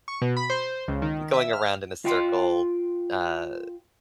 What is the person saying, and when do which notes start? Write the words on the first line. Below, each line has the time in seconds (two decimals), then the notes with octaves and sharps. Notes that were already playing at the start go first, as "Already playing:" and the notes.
going around in a circle, uh,
0.08 C#6
0.22 B2
0.37 B5
0.50 C5
0.88 C#2
1.02 D#3
1.33 E5
1.53 F6
2.05 F4 G5 C6